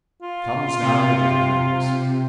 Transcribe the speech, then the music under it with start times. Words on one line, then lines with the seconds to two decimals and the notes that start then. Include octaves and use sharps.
Comes now the Japanese.
0.22 F4
0.83 C3